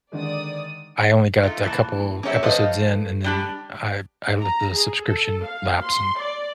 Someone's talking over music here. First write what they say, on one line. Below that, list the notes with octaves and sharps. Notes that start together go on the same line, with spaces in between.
I only got a couple episodes in, and then, I I let the subscription lapse, and
D3 D#3 G#3 D5 D#6
A3 D#4 F4
A#2 E3 A5
A#3 C#4 G4 C#5 E5
F3 A3 B4 C5 D#5 F5
G3 D4 G4
A#5
G#4
A4
F5
C6
D5